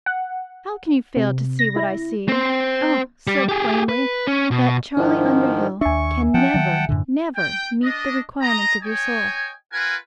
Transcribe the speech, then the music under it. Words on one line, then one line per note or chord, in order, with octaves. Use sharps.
How can you fail to see, what I see, oh! so plainly, that Charley Underhill can never, never meet the requirements of your soul.
F#5
C3
A#6
E4
C4 C5
G3
G4 G#4
B4
C#4
B2
G#2 D#3 F3 D4 E4
D#2 D4 E5 G#5 C#6
F3 C#4 F#5 G5 A5
D#3 F#3
F#2 A2 D3
G5
D4 D#5
D#5 A#5
C#5 D#5 G5 G#5
F4 A#4 B4 F#5 G#5